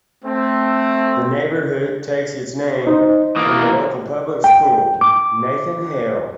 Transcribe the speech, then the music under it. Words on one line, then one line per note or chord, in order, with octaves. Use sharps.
The neighborhood takes its name from the local public school, Nathan Hale.
A3 C4
D#4 C5 D#5
E3 A#3 D#6
G5
D6